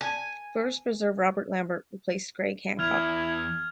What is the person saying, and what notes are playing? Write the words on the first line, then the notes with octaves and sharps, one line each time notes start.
First reserve Robert Lambert replaced Greg Hancock.
G#5
E2 E4 F6 G#6 F7